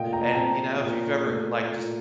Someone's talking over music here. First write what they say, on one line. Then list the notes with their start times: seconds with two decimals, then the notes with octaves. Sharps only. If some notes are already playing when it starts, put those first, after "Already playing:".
and, you know, if you've ever, like, just
Already playing: A#2 A3 D#5 F5 G5
0.13 G5 A#5
0.30 A5
0.35 C4 G5 A#5
0.80 A#2
1.26 A3
1.71 A#2